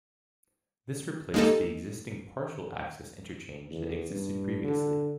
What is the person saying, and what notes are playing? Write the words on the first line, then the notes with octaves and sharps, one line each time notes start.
This replaced the existing partial access interchange that existed previously.
G#3 A#3 D#4 G4 A4
E2
G2
D3